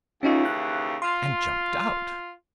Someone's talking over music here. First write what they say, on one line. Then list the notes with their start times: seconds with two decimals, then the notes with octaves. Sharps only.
And jumped out.
0.23 D#2 C#3 E3 C#4 D#4 F4
0.45 F#6
1.02 F4 C6